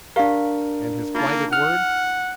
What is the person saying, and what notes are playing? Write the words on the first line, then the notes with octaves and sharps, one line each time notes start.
And his plighted word?
D4 G4 A#4 F5
A#3 D#4 F4
F#5 F6